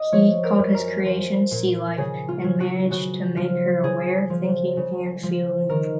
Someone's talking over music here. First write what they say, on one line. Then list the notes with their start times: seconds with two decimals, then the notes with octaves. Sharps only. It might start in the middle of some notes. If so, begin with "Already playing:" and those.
He called his creation C-Life and managed to make her aware, thinking, and feeling.
Already playing: D#5
0.12 F3 C#5
0.43 A#4
0.59 F#2
0.74 A#4
1.05 F3
1.51 A#2
1.97 C#3 G#4
2.28 F4
2.44 F#3
2.60 F#4
2.90 C#3 F#4
3.37 F3 F4
3.83 C#3 G#4
4.30 F3
4.77 C#3
5.23 F3
5.69 D#3 A#4